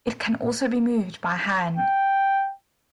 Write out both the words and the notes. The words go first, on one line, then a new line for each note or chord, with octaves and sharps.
It can also be moved by hand.
G5